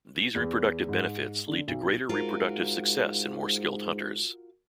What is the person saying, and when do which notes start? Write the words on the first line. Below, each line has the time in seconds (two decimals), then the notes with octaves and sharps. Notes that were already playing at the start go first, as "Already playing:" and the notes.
These reproductive benefits lead to greater reproductive success in more skilled hunters.
0.35 E2
0.89 G#2
1.48 D3
1.68 B1
2.09 G#2 F4 F#4 A#4